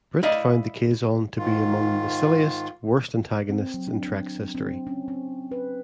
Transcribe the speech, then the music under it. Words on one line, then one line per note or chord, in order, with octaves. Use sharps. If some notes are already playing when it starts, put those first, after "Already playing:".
Britt found the Kazon to be among "the silliest, worst antagonists in Trek's history".
E4 D5 D#5 F5
G#2 D#3 F4
C4
F#3
D4
C4
C#4
C4
B4